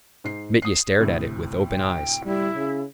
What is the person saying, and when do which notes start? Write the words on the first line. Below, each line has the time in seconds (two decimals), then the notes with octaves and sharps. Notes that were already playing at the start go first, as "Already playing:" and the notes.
Mitya stared at it with open eyes.
0.24 G#2 C7
0.62 D#6 C7
0.98 D2 A2 C3
1.64 G5
2.25 G3 E4
2.55 C#3